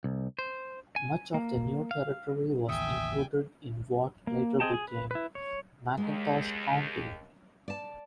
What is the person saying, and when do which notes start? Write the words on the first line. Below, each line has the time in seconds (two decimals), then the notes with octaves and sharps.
Much of their new territory was included in what later became McIntosh County.
0.04 C2
0.39 C5
0.96 G#5
1.34 A#3
1.91 F5
2.68 A1 D#2 C#3 E5 G5 G#5 D#6
4.27 A#3
4.60 C4 G#4 D#5 G5 A5
4.74 G#4
4.88 B4
5.11 E4 B4
5.35 C#5
5.97 D#2 G#3
7.68 D5 A5